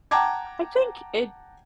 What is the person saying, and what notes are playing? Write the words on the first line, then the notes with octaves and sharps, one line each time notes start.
I think it
F#5 G5 A5 A#5 D6 G#6